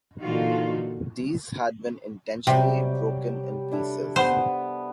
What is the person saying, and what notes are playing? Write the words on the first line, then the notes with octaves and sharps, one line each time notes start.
These had been intentionally broken in pieces.
A#2 D3 E3 D#4 F4 F#4
C3 F#3 G3 G4
D4 E4 A4
B3 C5